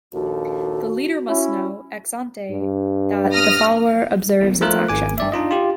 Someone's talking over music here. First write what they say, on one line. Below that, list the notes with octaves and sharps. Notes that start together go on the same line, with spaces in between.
The leader must know "ex ante" that the follower observes its action.
A#1 D#2 F#4 A4
C#4 E4
G2
D#6 F6 A#6
F3 A3 F4 A#4 F#6
G#1 G#5 D6
G2 D5 E5
D4 D#4 F4 D#5
F4 G4